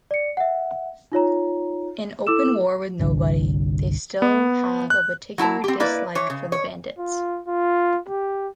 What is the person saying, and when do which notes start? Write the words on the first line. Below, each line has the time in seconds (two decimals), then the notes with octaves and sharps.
In open war with nobody, they still have a particular dislike for the Bandits.
0.11 D5 C#7
0.37 E5 F#5
1.12 D#4 F4 C#5 A#5
2.27 E4 A4 D6 E6 E7
2.99 G1 C2 D3
4.22 B3
4.90 F#6
5.38 F#3 E4 A5 A#5
5.64 C4 G4
5.80 A#3 E4 B4 D5
6.15 E3 C#5
6.30 C#3
6.52 C#5
6.98 F4
7.47 F4
8.08 G4